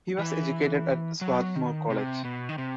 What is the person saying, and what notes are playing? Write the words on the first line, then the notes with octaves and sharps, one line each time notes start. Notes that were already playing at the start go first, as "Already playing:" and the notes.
He was educated at Swarthmore College.
E3
F#3
D#3
C3
B2
D#3
C3